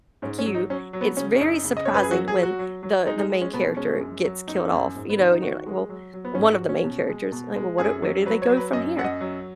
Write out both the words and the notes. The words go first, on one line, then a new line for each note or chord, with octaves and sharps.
you, it's very surprising when the the main character gets killed off, you know? And you're like well, one of the main characters. And you're like, "Well, what do Where do they go from here?"
G#2 C#4
C#4
F#3
D#4
F#3 C#4
F#3
B3
C#3 C#4
C#4
F#2 D#4
C#3
D#5
F#2 C#5
B4
G#4
F#3 F#4
G#4
F#3
F#4
F#3
F#3
G#3 D#4
D#4
G#3
C#4
B2 B3
G#3 C#4
F#2
F#3
F#2 D#4
F#2
G#2
B3
D#3 C#4
D#4
D#3 F#4
G#3
F#3
F#3
B3
G#2 C#4
D#4
F#4
F#3
C#4
B2
G#3
B2
G#3
F#2 G#4
F#3
F#3 B4
C#5
F#3
B4
F#2 D#5
F#2 F#5
D#5
F#3